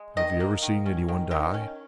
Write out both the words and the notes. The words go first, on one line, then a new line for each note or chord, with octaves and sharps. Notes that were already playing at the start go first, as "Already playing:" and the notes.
"Have you never seen any one die?"
Already playing: G#3
D#3 D#5
A#3
D#3
C#4
D#3
D#3
C#4